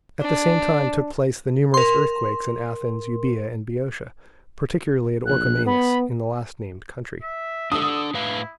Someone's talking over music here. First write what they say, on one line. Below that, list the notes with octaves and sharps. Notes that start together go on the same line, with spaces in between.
At the same time took place the numerous earthquakes in Athens, Euboea, and Boeotia, particularly at Orchomenus in the last-named country.
D4
A#4 C6
A#1 F#6
B3 B5
E5
D4 A4 D#6 E6
A2 E4 B4 F5